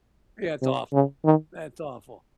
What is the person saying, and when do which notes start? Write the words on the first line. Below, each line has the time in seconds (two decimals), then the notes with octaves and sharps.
Yeah, it's awful, that's awful,
0.62 C3
0.93 C#3
1.24 D#3